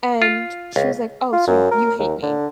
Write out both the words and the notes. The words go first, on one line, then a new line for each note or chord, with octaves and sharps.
And she was like, "Oh, so you hate me."
F4
C#2
F4
F#2
A#4
D#2
D3